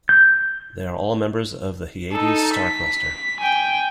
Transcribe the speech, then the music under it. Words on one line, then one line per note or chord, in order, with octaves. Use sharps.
They are all members of the Hyades star cluster.
G6
D#4 A4
B6
G5 G#5